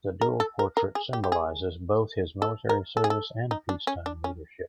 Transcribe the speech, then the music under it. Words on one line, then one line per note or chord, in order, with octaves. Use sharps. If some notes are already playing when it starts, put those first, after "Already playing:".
The dual portrait symbolizes both his military service and peacetime leadership.
A#4
A4
A#4
A#4
G#4
G4
G4
G#4
A4
A#4
A4
G#4
A4
D#4
D4
C#4
D4
C#4